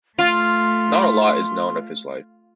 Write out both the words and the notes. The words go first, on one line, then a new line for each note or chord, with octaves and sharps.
Not a lot is known of his life.
A3 F4 C6